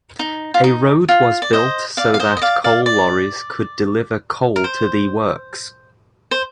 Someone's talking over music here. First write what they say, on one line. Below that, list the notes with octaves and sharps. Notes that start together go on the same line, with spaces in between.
A road was built so that coal lorries could deliver coal to the works.
D#4
F4
D#4
F4
D5
C5 D#5
D5 F5
F5
C5 D#5
D#5
D5 F5
D5 F5
D5
A#4
C5
C5